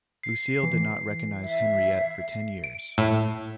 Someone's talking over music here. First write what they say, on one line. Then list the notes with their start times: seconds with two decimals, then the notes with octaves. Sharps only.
Lucile did not recognize Henriette for ten years.
0.23 C7
0.63 E3
1.43 E5
2.64 D7
2.98 A2